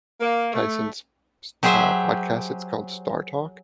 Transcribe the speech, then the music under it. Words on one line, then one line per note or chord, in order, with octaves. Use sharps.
Tyson's s uh, podcast, it's called "Star Talk"
A#3
A3
F#3 G4 G#4 C5 E5